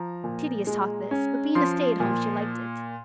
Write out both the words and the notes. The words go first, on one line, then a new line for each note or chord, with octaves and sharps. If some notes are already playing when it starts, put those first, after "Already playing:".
Tedious talk this, but being a stay-at-home she liked it.
Already playing: F3 A#5
A#2
G#3
C#4
F3 C6
A#2